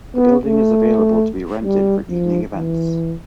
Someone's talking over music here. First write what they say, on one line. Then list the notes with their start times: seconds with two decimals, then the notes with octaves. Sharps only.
The building is available to be rented for evening events.
0.16 B3
0.46 A3
1.65 G3
2.09 F3
2.53 E3